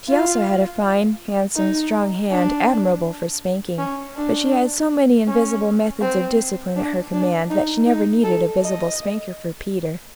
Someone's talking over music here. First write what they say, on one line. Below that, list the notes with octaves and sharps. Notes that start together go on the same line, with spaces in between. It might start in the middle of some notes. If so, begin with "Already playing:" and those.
She also had a fine, handsome, strong hand admirable for spanking, but she had so many invisible methods of discipline at her command that she never needed a visible spanker for Peter.
F4
D#4
D4
C#4
D4
C#4
C4
D4
D4
D#4
D#4
A4
D#5